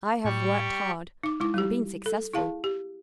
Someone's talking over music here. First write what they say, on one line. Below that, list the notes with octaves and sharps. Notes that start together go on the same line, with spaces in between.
I have worked hard and been successful.
A2 G3 G4 C#6
D#4 D6
G#3 E4 D6
G3 G4
A4
E4 G#4 F5 A5
G4